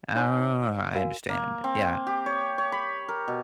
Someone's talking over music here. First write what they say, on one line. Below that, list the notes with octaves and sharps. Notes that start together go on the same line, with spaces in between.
Oh, I understand. Yeah.
D#4 C#5 G#5 C6 D6
F#4 A#4 F5 G#5
A#3
C4
G4
C#5
C#5
B5
A#4
B2